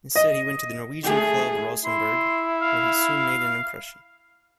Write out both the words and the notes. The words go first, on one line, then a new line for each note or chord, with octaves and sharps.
Instead, he went to the Norwegian club Rosenborg, where he soon made an impression.
D#5
A3 G#4
E4 C6
F5